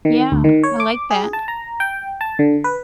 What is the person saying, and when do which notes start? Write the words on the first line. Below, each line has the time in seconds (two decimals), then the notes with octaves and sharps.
Yeah, I like that.
0.05 D#3
0.32 D2
0.44 D#3
0.63 C#5
0.80 D6
1.11 G#4
1.33 A5
1.48 A#5
1.80 G5
2.21 A5
2.39 D3
2.64 B4